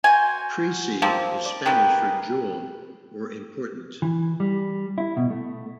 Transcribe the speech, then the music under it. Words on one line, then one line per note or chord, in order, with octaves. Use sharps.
"Presea" is Spanish for "jewel" or "important".
F#4 C5 G#5
F3 A#3 C4
D5
D#3 G#3 G4 G#4 B4
E3
G3
E4
B2
A3